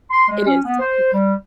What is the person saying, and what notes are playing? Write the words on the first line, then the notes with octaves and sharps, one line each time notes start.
It is.
C6
G#3
C#4
B3
C5
G3